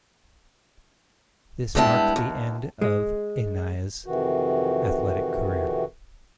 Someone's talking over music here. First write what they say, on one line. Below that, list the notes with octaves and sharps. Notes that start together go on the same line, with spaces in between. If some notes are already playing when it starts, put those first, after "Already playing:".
This marked the end of a Nia's athletic career.
G2 G#3 B3 E4 G5 A5
D#2
G#3
F2 C3 D#3 E3 F#4